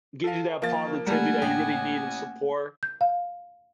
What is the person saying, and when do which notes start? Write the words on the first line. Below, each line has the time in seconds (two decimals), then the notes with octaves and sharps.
It gives you that positivity that you really need, and support.
0.24 A4 F5
0.62 F3 A#3 A6
1.07 G3 A3 A#3 A4 F#5 G#5
1.42 A1 G5
2.83 G6
3.01 F5